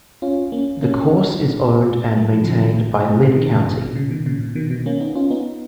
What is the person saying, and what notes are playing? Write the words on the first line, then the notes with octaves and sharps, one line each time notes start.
The course is owned and maintained by Linn County.
C#4 F4
A#3 C#4
A#3 C#4
F#3 A#3
F3 G#3
D#3
C#3 F3
B2 D#3
B2
A#2
B2
A#2 C#3
B2 D#3
A#2 C#3
B2
B2
A#2 C#3
B2 D#3
A#2 C#3
A#2
B2 D#3
B2 D#3
A#3 C#4
B3 D#4
C#4 F4
B3 D#4